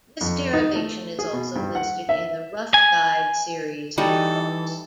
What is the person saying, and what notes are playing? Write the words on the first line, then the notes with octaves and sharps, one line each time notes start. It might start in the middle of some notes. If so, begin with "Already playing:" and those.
This derivation is also listed in the 'Rough Guide' series of books.
F2
D#4
A3
G#4
B2
G2
F#5
E5
G#5
E3 G3 D#4 F#4 A4